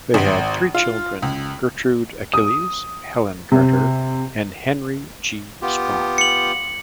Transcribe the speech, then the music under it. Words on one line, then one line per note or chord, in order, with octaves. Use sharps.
They had three children: Gertrude Achilles, Helen Carter, and Henry G. Strong.
G#1
F4
C#2
D#6
C3
B3 F4 G4
C#7 F#7